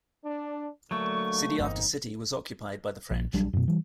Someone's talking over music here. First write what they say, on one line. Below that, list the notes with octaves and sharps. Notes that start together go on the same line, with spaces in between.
City after city was occupied by the French.
D4
D3 F#3 A3 A#3 C#6
G1 E2 A#3 C4 D#4
A#1
A#1 F#3 G3 D4
F#2 B2
E3 G3